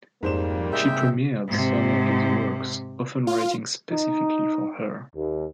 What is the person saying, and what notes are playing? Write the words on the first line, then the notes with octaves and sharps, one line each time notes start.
She premiered some of his works, often written specifically for her.
F2 G#2 G3 A#3 C5 E7
C3 G#3 E5 G5
G#2 C3
F4
D#4
D#2